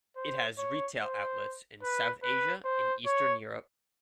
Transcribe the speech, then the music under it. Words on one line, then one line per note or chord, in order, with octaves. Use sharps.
It has retail outlets in South Asia and Eastern Europe.
C5
C#5
C5
B4
B4
C5
C#5